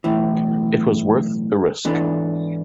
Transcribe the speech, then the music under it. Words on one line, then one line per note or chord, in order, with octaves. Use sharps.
It was worth the risk.
B1 A2 E3
G#2 E3 B3 D4 A4